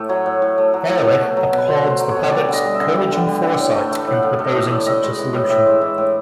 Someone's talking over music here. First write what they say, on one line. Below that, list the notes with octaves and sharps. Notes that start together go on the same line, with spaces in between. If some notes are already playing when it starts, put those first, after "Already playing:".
Ehrlich applauds the Paddocks' "courage and foresight" in proposing such a solution.
Already playing: A2 A3
F#3 C#5
A2
A2
A3
F#3
A2
B2
A3
F#3
B2
B4
B2 C5
A3
C5
F#3
C#5
B2
C#5
G3 D5
D3 D#5
G3
E5
D3
G3 G5
D3
G3
D3
A2
A3
E3
A2
F#5
A2 F5
A3
D#5
E3
D5
A2
A2 D#5
G#3
E3
A2
A2 E5
G#3
E3
A2